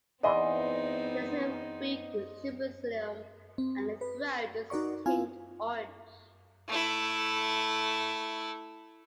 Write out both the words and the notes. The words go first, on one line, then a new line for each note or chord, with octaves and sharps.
There is a weak supercilium, and the throat is tinged orange.
E2 E3 B3 C4 D#4 D5 D#5 C6
C4
B4
D#4 F#4 A#4 D5 C#6
C4 E4 F4 F5 G#5
A3 E4